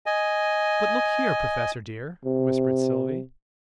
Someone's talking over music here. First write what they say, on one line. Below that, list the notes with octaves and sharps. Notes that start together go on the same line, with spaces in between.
"But look here, Professor dear!" whispered Sylvie.
D#5 G#5
C3